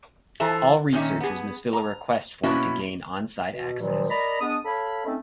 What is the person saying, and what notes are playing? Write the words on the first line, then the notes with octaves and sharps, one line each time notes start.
All researchers must fill a request form to gain on-site access.
E3 F4 A4 C5 E5 A#5
A#2 D#3 C#4 E5
B3 G#4
A#5
B2 A#3 C#4 E4 F#4 B4
B2
G2 A#2 D#3 F3 F#3 G#3
A#4 D5 D#5 A#5 B5
G#3 B3 D4 D#6
A4 C#5 F5 B5
A3 C4 C#4 D#4 A4 D#5